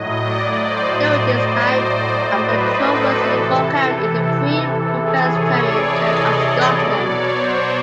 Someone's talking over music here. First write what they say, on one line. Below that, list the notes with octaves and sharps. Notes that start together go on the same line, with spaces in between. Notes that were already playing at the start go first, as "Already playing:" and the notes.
During this time, a controversy broke out in the Free Presbyterian Church of Scotland.
Already playing: A2 F#3 D#5
D5
C5
C5
B4
A4
C3 E3
G#4
C#5
D5
D#5
B2 F#3 D5
C#5
C5